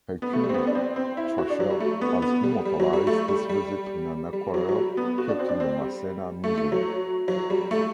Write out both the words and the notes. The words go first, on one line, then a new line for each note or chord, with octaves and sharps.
Hercule Trachel has immortalized this visit in an aquarelle kept in the Masséna Museum.
B3
A3
G3
C4
B3
D4
C4
C4
E4
F#4
D4
F#3
G3
A3
B3
B3
G3
G3
F#3
G3
A3
G3
G3
G3
F#3
F#3
G3
B3
F#4
D4
C4
D4
C4
G3
A3
A3
F#3
F#3
G3
A3